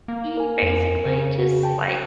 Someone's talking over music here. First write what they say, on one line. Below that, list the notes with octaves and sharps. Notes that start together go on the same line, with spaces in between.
he basically just like
A#3
A#4 G#5
F2
C#3
F#4
G5 A5